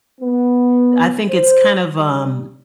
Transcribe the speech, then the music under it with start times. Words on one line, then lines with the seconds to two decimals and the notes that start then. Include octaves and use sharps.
I think it's kind of, um d
0.21 B3
1.29 C5
1.94 G3